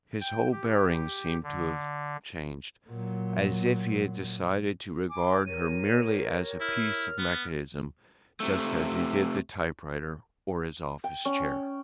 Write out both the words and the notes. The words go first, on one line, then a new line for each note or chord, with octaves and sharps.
His whole bearing seemed to have changed, as if he had decided to regard her merely as a piece of mechanism, just as he did the typewriter, or his office chair.
G5
G4
D3
A#2 F#3
G#5 D6
G4 A#4 C#5 D#7
E4 F6
B3
C3 A3
G5
C#4